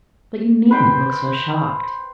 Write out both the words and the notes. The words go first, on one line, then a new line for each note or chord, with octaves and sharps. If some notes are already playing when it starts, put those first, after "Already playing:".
But you needn't look so shocked.
B4 C5 G5